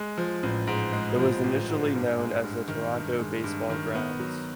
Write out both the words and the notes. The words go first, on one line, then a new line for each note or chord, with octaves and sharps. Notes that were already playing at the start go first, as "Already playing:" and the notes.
It was initially known as the Toronto Baseball Grounds.
Already playing: G#3
F3
A1
G#2
G#3
F3
A1
G#2
G2
G#3
G2
D#3
G2
G#3
G2
D#3
B3
F#3